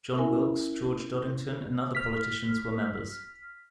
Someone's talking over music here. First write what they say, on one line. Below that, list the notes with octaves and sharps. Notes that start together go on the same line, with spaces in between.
John Wilkes, George Dodington and other politicians were members.
C#4 E4 A#4 E5 G#5
F6 B6